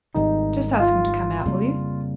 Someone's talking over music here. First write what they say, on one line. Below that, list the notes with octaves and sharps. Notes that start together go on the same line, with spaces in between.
"Just ask him to come out, will you?"
G#1 G#2 D#3 G3 D#4
F4
F2 C#3 G3 A#3